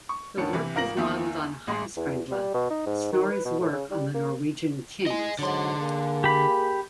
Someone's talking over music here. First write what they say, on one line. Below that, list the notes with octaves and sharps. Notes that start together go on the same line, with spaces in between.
The work is modelled on the "Heimskringla", Snorri's work on the Norwegian kings.
C#6
F1 D#3 C#4 D4 A5 C#7
C3 E3
G#1 F4 A#4 A#6 F#7
E2 D#3 A#3 E5 D#6
A1 G#3 D#5 C6
E2
G3
B2
D#4
G#2
D#3
B4
B2
A2
C#3
G3
A#3
D#5 G#5
G#2 D3 F#3 C6
A#3 G#4
G4 B5